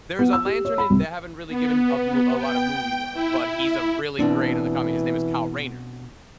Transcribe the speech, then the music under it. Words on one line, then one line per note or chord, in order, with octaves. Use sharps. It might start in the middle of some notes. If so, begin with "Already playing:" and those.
There's a lantern in they haven't really given a a lot of movie love, but he's a really great in the comic, his name is Kyle Rayner,
B3
E6
G4
C#5
B5
C2
B3
G5
E4
B2 E3 C4 D4